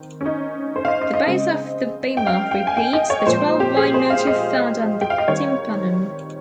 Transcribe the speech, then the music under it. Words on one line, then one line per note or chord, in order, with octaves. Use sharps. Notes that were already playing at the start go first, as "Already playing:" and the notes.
The base of the bimah repeats the twelve vine motif found on the tympanum.
Already playing: D#3 C4
C#4
D#4
C5
F5
D#5
D#5
D#5
C#3 G#3 C4
G5
F5
G5
G#5
G5
D#5
C#5
A#2 F3 G#3 C4 C5
G4
G#4
C5
F5
D#5
G5
F5
D#5
D#3 G3 C4 C#5